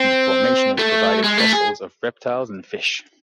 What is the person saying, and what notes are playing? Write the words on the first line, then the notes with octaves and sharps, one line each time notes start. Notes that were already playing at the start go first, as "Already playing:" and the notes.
The formation has provided fossils of reptiles and fish.
Already playing: C4
A3
G#3
A3
G#4